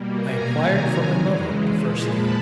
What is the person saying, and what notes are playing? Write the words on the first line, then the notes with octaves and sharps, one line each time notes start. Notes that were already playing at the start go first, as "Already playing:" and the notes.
I inquired for my mother the first thing.
Already playing: B2 G3 A#3
G#5 A#5
C3 D#3 F#3 G#5 A#5
C#3 E3 G#3
A#2 F3 G#3 A5 B5
A5 B5